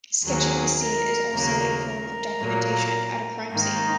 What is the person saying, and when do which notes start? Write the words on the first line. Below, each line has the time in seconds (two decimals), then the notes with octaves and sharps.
Sketching the scene is also a form of documentation at a crime scene.
0.25 D#2 D#3 F#3 A#3 G#4
0.79 A#4
1.33 D#2 C#3 F#3 A#3 A#4
1.87 A#4
2.41 A#2 F#3 A#3
3.50 G#2 D#3 A#3 D#4